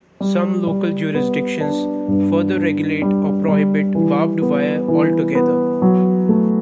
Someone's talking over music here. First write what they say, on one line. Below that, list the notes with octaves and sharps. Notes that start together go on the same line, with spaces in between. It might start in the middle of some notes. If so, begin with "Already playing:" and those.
Some local jurisdictions further regulate or prohibit barbed wire altogether.
G3
G3
B3
D4
G2
D4
G3
G3
E3
B3
E3
B3
F#3
A3